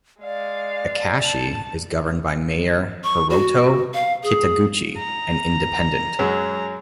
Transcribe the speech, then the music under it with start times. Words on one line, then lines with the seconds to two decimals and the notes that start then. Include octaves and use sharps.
Akashi is governed by Mayor Hiroto Kitaguchi, an independent.
0.22 G#3 D5 F5
1.24 A5
3.04 C#6
3.30 F#4
3.94 F5
4.23 G#4
4.98 A#5
6.19 F#2 F#3 G#3